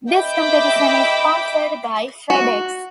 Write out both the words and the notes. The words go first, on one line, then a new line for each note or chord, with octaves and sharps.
This competition is sponsored by FedEx.
D#5 E5 G5 B5 D6
F#4